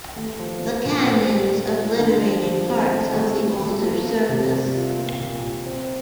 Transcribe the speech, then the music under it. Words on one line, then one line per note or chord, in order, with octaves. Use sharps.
The canyons obliterated parts of the older surface.
A3
F3
F3
A#2
C5
G3
A#3
F4
D3
F3
F3
C4
A3
A3
A3
A3
A#3
A#3
C3
G3
F4
A#3
A#2
F4
C4